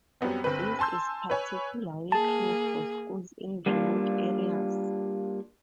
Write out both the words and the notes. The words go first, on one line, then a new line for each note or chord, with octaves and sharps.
This is particularly true for schools in remote areas.
F#2 G3 B3 C4
G1 C4 B4
G#5 A5 C6 E6 G6
B4 C#5 G#5
A#3 G#4 A5
G3 A#3 D4 F4